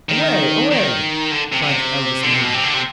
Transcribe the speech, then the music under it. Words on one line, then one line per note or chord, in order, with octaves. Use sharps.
"Away! away!" cried the eldest maiden.
D#3
D#3
D3
C3
C3
D3
C3
B2
C3
D3
C3